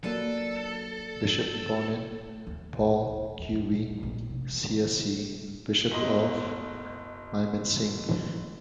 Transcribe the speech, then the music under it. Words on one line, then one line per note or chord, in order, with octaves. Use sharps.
Bishop Ponen Paul Kubi, csc, Bishop of Mymensingh.
F#3 A#3 D4 A4 B4
D#2
A#1
D#2
E2
F#3
A#2
D4
A#1
C3
E3
F#1 B2 D#5 C6